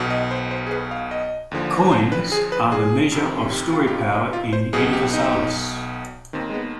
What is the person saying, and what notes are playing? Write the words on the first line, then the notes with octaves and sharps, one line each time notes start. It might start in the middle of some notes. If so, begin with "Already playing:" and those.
"Coins" are the measure of story power in Universalis.
Already playing: B1 B2
D#5
C5
C5
G#4
B4
F5
D#5
D#2 D3 F3
C5
B4
G#4
B4
G#4
F2 C3 D#3
G4
F4
G4
F4
D#4
F4
C5
B1 B2 G#4
G4
D#4
D#2 D#3 C4
G#3
B3